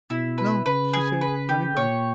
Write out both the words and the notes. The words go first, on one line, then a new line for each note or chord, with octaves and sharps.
"No," she said, running back.
B2 E4
B4
C#3 B4
G#4
B4
G4
A#2 C#5